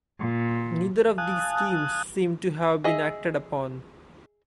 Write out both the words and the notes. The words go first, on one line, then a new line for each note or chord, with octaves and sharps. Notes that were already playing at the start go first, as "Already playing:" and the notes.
Neither of these schemes seem to have been acted upon.
A#2
F5 G#5 A5 D#6 F#6
G#4 D#5 E5